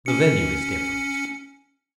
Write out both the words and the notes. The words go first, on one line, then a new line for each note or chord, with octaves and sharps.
The venue is different.
C#4 C#7